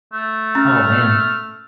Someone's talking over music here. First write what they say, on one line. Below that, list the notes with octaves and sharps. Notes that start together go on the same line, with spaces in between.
Oh, man.
A3
C#4 F6